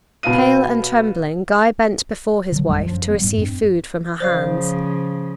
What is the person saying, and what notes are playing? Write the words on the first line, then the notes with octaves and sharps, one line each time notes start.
Pale and trembling, Guy bent before his wife, to receive food from her hands.
B2 B3 F5 D#7
D3 F3 F#3
A1 F2 G3 A3
G1 F#2 A2 F3
G3 B3
G#2
G2 C4
C#3 F3 C5 D5 F5